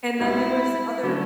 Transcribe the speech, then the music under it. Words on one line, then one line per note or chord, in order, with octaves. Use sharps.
and then there was other
C#2 B2 G3 C4 D#4 E4
D3 F#3 A3 C#4